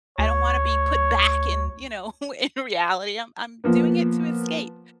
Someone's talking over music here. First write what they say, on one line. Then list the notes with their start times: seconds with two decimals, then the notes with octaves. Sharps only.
I don't wanna be put back in, you know, in reality, I'm I'm doing it to escape,
0.19 D2 C#5
3.64 F3 A#3 B3